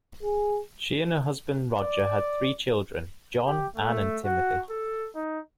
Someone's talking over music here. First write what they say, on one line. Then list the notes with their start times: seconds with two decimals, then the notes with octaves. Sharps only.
She and her husband, Roger, had three children: John, Anne and Timothy.
0.23 G#4
1.77 D5
3.46 G4
3.76 A3
4.25 F#4
4.70 A4
5.15 D#4